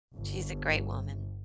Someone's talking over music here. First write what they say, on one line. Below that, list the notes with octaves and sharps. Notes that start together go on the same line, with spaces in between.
She's a great woman.
G1